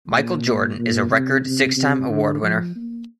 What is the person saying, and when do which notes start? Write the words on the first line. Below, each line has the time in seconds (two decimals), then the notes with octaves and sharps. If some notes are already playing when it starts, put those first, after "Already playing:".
Michael Jordan is a record six-time award winner.
0.13 A#2
0.78 A#2
1.11 C3
1.44 C3
1.76 C3
2.09 D3
2.42 F3
2.76 A#3